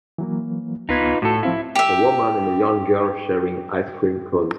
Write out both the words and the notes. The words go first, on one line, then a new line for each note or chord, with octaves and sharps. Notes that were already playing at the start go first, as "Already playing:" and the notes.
A woman and a young girl sharing ice cream cones.
E3 F#3 A#3
C#2 B3 D#4 F4 B4 G#6
A2 F#4 A4
F3 C4 E4 F5
G4 E5